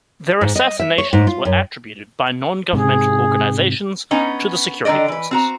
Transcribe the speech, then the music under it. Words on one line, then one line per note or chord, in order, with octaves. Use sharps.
Their assassinations were attributed by non-governmental organisations to the security forces.
G#2
D#5
E5
C#5
G#2
F4
F#2
G#2 C3 G#4
B3 C#4 D#4
D3 D#3 F#3 D5 D#5
E3 B4
C4 F#4 A#5